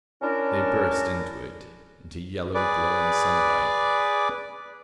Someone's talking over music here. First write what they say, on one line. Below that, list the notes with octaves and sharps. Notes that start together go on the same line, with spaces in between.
They burst into it--into yellow, glowing sunlight.
C#4 D4 E4 A#4
G#4 B4 D5 D6